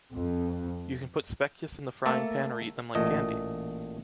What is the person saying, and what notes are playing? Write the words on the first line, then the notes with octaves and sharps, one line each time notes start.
You can put Spekjes in the frying pan or eat them like candy.
F2
A3 A#3 A4
A1 A#2 A3 D#5